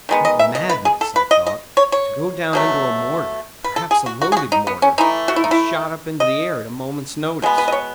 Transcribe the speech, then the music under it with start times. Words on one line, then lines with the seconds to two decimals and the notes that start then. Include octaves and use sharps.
"What madness," I thought, "to go down into a mortar, perhaps a loaded mortar, to be shot up into the air at a moment's notice!"
0.09 D#3 G#3 B3
0.25 D#5
0.39 E5
0.55 D#5
0.69 B4
0.85 G#4
1.01 A4
1.16 B4
1.31 D#5
1.47 D#5
1.77 C#5
1.92 C#5
2.53 B2 F#3 A3
3.64 B4
3.76 A4
3.91 G#4
4.06 F#4
4.22 F#4
4.32 G#4
4.37 F#4
4.52 D#4
4.67 B3
4.82 C#4
4.98 E3 A3 D#4
5.28 F#4
5.36 E4
5.44 D#4
5.51 E4
6.20 D#5
7.42 B2 G#3 B3
7.58 B4
7.68 D#5
7.72 C#5